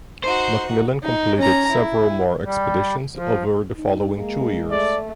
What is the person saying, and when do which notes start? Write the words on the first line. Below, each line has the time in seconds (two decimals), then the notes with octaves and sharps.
McMillan completed several more expeditions over the following two years.
0.24 D#4 F#4 C5
1.03 D#4
1.38 C#4 A#5
1.71 E4
2.45 G3
3.16 F3
3.77 D#4
4.15 G#3 A#3
4.71 A3 D5